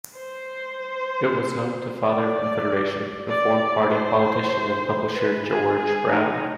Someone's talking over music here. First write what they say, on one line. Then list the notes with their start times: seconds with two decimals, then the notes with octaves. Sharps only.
It was home to Father of Confederation, Reform Party politician and publisher George Brown.
0.16 C5
2.03 D5
3.28 D5
3.91 C5
5.15 B4
5.46 G#4
5.78 G#4
6.09 D#4